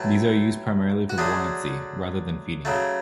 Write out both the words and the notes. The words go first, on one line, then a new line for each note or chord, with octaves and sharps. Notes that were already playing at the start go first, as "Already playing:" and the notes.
These are used primarily for buoyancy, rather than feeding.
Already playing: A2 F#3 A3 B4
F#4
D3 F#3 A3 G#4
C#3 F#3 A3